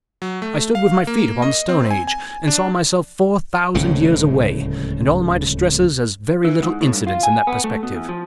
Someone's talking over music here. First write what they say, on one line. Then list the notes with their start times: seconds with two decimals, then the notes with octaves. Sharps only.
I stood with my feet upon the Stone Age and saw myself four thousand years away, and all my distresses as very little incidents in that perspective.
0.22 F#3
0.42 A3
0.75 F5
1.07 A#3
1.42 D#5
1.69 C4
1.91 G#5
2.07 G#5
2.47 D4
3.75 D1 C#2 A2 C#3
6.45 E3
6.62 G#2
6.81 A2
6.93 G2
7.07 F4
7.23 G#5
7.47 B3
7.64 A3
7.83 B2
7.95 E2
8.09 F3